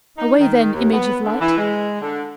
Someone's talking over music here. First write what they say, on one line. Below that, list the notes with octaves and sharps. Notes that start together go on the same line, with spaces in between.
Away, then, image of light!
D#4
D#3
D#2
B3
D3
E3
G#3
D3